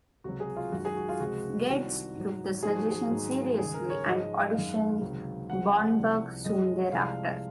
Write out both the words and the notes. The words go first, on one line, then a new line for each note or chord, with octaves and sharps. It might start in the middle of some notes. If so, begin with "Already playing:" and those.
Getz took the suggestion seriously, and auditioned Bromberg soon thereafter.
C#2 C3 F#3 F#4
G#4
F4
F#2 D#3 G#3 F#4
G#4
F#4
F4
C#2 C3 F3 G#3 F#4
C2 C3 D#3 F#4
G#2 F#3
G#2 F3 G#3 G#4
F#4
G#4
G#2 D#3 F#3
D#2 C#3 G#3 G#4
A#4
C#5
G#2 F3 G#3 D#5
F#2 D#3 G#3 F5
C#2 C3 D#3 F#3
C#2 C#3 F3 G#3 F#5
C2 C3 F3
F#2 F3 G#3 D#5
C2 C3 F3 G#3 F5